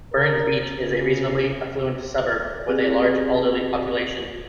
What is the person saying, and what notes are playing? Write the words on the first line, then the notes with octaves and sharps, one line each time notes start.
Burns Beach is a reasonably affluent suburb with a large elderly population.
A#4
C#3
C4 G4 G#4 G#5